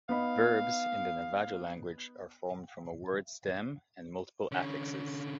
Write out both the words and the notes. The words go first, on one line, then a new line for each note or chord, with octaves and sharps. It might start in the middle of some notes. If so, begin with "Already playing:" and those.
Verbs in the Navajo language are formed from a word stem and multiple affixes.
B3 D#4 F5 B5
D3 C#4